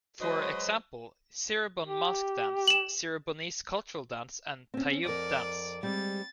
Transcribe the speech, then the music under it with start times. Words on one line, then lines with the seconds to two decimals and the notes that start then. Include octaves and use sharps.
For example, Cirebon mask dance, Cirebonese cultural dance and Tayub dance.
0.21 F#3 G#3 F#4 B4 C5 D#5
1.87 G4
2.67 E7 F#7
4.74 C4 C#4
5.05 F2 A#4 D5
5.83 G3 G#3 C4 A6